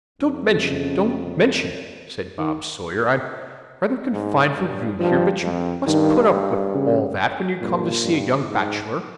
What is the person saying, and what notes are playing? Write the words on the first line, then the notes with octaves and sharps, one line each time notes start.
'Don't mention it, don't mention it,' said Bob Sawyer. 'I'm rather confined for room here, but you must put up with all that, when you come to see a young bachelor.
F2
C#3
D#3
G#2
G2
G2 F3
F2
G2 D#3
C#3
G2 A#2
G2
G#2